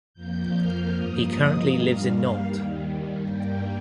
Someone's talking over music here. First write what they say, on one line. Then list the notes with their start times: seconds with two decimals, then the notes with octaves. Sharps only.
He currently lives in Nantes.
0.14 F2 F3 A#3 G6
0.51 F6
0.90 G2 F3 A#3 D#6
1.28 D#5
1.67 G2 G3 A#3 F5
2.43 D#2 D#3 G3
3.19 G2 G3 A#3 G5